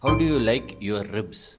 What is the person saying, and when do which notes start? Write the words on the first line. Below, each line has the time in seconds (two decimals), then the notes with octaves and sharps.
How do you like your ribs?
0.06 B1 A2 C6 D7